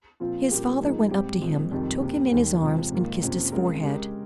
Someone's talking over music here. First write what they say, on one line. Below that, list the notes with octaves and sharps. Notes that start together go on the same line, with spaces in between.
His father went up to him, took him in his arms, and kissed his forehead.
A#2 F3 C4 F4
A#2 G3 C#4 G4 A#4
G#2 F3 A#3 D#4 G#4
G#2 G3 C4 G4
A#2 F3 G#3 C4
F2 C3 D#3 G3 C4
C2 C3 G3 A#3
D#2 D#3 G3 A#3
C3 F3 G#3
G#2 D#3 A#3 F4
F2 C3 F3 A#3 C#4
C#3 G#3 C4 F4 A#4
C#3 G#3 C#4 G4 A#4